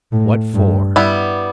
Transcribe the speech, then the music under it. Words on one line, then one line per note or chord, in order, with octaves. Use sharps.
"What for?"
A2
G2
G3 B3 E4